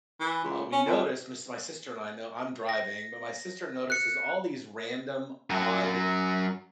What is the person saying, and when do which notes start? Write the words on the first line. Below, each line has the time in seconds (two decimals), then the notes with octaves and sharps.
uh, we noticed my sis my sister and I no I'm driving, but my sister notices all these random, odd
0.20 E3
0.44 C#2
0.72 C#4
0.87 F2
2.69 A#6
3.90 F#6 C#7
5.50 F#2 F#3